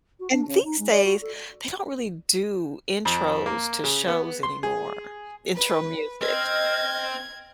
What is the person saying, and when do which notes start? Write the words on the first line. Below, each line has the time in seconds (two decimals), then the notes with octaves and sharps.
And these days, they don't really do intros to shows anymore. Intro music.
0.19 F#4
0.32 D4
0.46 C#3
0.64 D#4
0.78 G#3
0.90 D5
1.04 F#4
1.21 A4
3.05 F2
3.46 A#3
3.84 C#3
4.08 B3
4.43 C6
4.63 G#4
5.55 B4
6.21 C4 D#5 F6 G#6